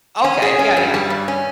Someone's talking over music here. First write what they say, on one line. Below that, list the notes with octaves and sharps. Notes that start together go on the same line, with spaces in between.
Okay, yeah, yeah.
C#4
G#4
C#4
G2
G3
G2
C#4